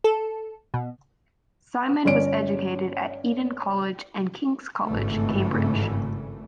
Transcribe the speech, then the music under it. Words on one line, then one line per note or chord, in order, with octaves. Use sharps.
Simeon was educated at Eton College and King's College, Cambridge.
A4
B2
G1 C#4 D5 D7
G#1 G2 C#3 E3 A3